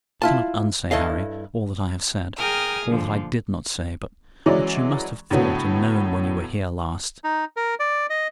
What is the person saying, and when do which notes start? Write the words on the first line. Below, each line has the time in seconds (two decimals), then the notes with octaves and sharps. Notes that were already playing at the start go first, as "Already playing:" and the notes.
I cannot unsay, Harry, all that I have said--all that I did not say, but which you must have thought and known when you were here last.
0.22 E4 F4 A5
0.91 G2 E4 A4 D#5 F5
2.36 G#4 A#4 G5 G#5 D#6 F6
2.86 A#2 D3 F3
4.46 E3 F#3 G#3 C#4 E4 D5
5.30 A2 D3 F#3 B3
7.24 D#4
7.57 A#4
7.80 D5
8.10 D#5